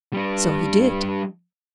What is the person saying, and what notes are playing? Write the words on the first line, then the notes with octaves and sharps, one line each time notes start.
"So he did."
G3 D4